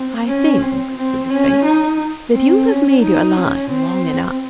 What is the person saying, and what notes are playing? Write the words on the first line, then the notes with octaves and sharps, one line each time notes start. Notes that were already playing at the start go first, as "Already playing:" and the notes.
"I think," said the Sphinx, "that you have made your line long enough."
Already playing: C4
C#4
C4
C4
C#4
D#4
C4
C#4
D#4
C#4
C4